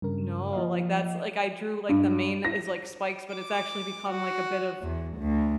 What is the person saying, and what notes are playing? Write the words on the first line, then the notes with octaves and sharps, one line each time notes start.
No, like, that's like, I drew, like, the main is like, spikes, but it's actually become like a bit of,
G2 C#3 A#4
F3 A#3 D#5 F5
G2
A#6
D6
F#4
E2
D2